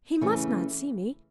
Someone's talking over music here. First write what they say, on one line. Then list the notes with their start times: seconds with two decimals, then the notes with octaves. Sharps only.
He must not see me.
0.21 C#3 E3 A3 C#4